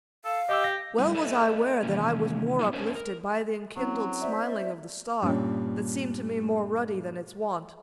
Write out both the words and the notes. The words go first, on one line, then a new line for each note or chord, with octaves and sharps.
Well was I ware that I was more uplifted By the enkindled smiling of the star, That seemed to me more ruddy than its wont.
A4 F5
G4 D#5 D6 E6
A#6
G3 A3 D#4
A4 B4 C#5 D#5 E5
C3 D#3 E3 A#3 C#4
A2 F#3 B3 D4 D#4 F4
C#4 D4 A#4 C5 C#5
A#4
F#3 C4 C#4 E4
C5 D5 E5
G2 A#2 C#4